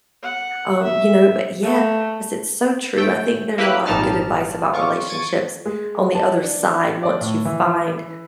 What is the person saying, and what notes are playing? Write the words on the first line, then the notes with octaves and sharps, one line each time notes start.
um, you know, but yes, it's so true, I think there's a lotta good advice about relationships on the other side once you find
F#5
E5
A3
A3 G5
A#3 E4 G4 B4 F#6
G#1 A#2 G3 D#4 A5 F6
F4 C#6 D6
C#6 G#6 A6 D7 D#7
G#3
A5
D4
D5
A2
E3